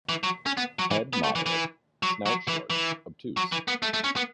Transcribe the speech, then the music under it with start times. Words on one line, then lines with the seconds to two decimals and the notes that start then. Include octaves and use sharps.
Head moderate; snout short, obtuse.
0.09 E3
0.23 F#3
0.46 C#4
0.57 B3
0.79 F#3
0.91 E3
1.13 B3
1.24 A3
1.35 E3
1.46 E3
2.03 F#3
2.26 F#3
2.48 E3
2.70 E3
3.37 F#3
3.52 E3
3.68 B3
3.82 A3
3.94 A3
4.04 C#4
4.16 B3